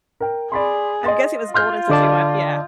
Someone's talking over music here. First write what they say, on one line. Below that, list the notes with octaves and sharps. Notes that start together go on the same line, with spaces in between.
I'm guessing it was Golden since we went yeah.
A#4 G5
G#4 D5 B5 C6
D#5 C6 A6
F4 C6 F6 G6
D3 D5 D#5 A5